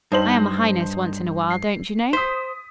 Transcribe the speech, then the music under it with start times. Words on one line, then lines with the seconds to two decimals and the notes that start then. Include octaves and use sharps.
"I am a highness once in a while, don't you know?"
0.12 G2 D#4 C5 F#7
1.50 C7
2.13 C5 D#6 B6